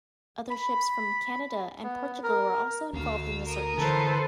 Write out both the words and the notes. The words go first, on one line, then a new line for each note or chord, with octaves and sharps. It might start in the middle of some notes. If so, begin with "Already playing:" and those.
Other ships from Canada and Portugal were also involved in the search.
B5
B3
A#4
D2 F5 E6
A#4 D#6
D3 E3 A4 B4 C5